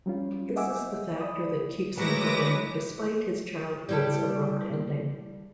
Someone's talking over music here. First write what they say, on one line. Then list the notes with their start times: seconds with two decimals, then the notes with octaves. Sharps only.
This is the factor that keeps him going despite his childhood's abrupt ending.
0.06 F#3 G3 C#4 F4
0.56 D#5 E5 F#5 G#5 D6 E6
1.21 D5 B5 D#6
1.98 F#3 G#3 A3 E4 B4 D6 A#6
3.89 G3 E4 A4